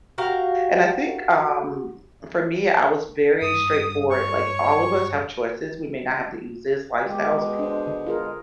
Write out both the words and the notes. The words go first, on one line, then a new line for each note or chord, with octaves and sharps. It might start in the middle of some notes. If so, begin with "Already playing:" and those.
And I think, um, for me, I was very straightforward. Like, all of us have choices. We may not have the easiest lifestyles
F#4 G4 A#4 F5
G2 D#6
C#5 C#6
B2 G#3 G4
D4 C5
D3
F4 G#4 A#4